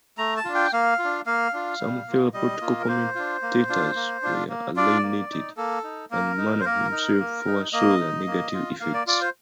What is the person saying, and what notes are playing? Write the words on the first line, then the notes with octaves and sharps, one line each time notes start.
Some fellow political commentators were alienated, and Mann himself foresaw the negative effects.
A3 A#5
A5
D4 F4
G5
A#3 F5
F4
D4
A#3 F5
D4 F4
G3
A#3 F4
G3 D#5
A#3 F4
A#4
A#3 C5
D4 F4
A#3
D4 F4
A#3
D4 F4
A#3
D4 F4 D5
A#3
D#4
A#3 A4
D#4
A#3 A#4
D#4
C5
A#3 A#4
D#4
A#3
D#4
A#3 D#5
D#4
A#3
F4
A#3 F5
D5
F4 D5
C5